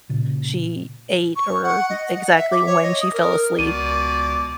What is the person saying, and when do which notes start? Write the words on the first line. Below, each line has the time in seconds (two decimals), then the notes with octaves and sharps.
she ate or exactly when she fell asleep
0.09 A#2 C#3
1.36 C#6
1.64 F#5
1.90 D#5
2.13 F#5
2.36 E5
2.52 D6
2.66 C#5
2.82 D#5
3.01 D#6
3.13 A#4
3.59 C#2 B2 D5 D#7